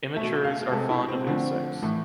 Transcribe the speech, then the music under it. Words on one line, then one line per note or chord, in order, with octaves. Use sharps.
Immatures are fond of insects.
B2 A3 E5
F5
C3 G#3 A4
E4
C4
D3 F3 A3 C4
A2 E3 A3